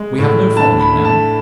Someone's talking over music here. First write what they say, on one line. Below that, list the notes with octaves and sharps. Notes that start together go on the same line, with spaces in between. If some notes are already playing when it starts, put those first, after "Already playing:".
We have no following--now.
Already playing: G#3
A2
D3 A5
B5
A3
A5